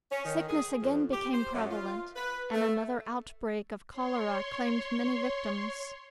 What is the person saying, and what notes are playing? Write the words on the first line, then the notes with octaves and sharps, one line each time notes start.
Sickness again became prevalent, and another outbreak of cholera claimed many victims.
C#4
D#3
G#4
F2
G4
C5
F#2
F4
B4
A3
C#5 C6